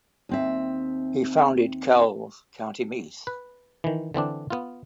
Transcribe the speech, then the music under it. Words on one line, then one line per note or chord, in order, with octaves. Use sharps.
He founded Kells, County Meath.
D#2 C4 E5
B4
D#3 E3
D3 E3 C4 D4
B3 F4